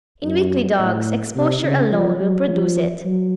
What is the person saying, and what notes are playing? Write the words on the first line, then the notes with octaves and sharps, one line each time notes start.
In weakly dogs exposure alone will produce it.
F#2
A2
C3
C#3
F3
F#3
F3
F#3